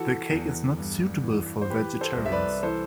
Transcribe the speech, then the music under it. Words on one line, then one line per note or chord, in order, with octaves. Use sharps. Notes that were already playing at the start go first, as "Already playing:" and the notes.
The cake is not suitable for vegetarians.
Already playing: E3 F#4 A4
E2
G2
E3
C5
E3 G4 B4
A4 C5
C2
E5
B4 D5
E3 A4 C5